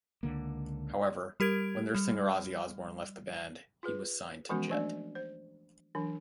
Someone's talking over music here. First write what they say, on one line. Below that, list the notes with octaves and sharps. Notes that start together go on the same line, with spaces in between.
However, when their singer Ozzy Osbourne left the band, he was signed to Jet.
C#2 D3 A#3
G3 G4 A#4 G#6 D7
G3
F4 G#4 B4
E3 F3 G#3 B3 C#4 F#4
F3 A3 D4 D5
C5
E3 F#3 D4